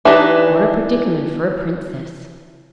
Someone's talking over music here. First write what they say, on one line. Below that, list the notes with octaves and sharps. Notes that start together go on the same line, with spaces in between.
What a predicament for a princess!
E3 D4 D#4 G4 E5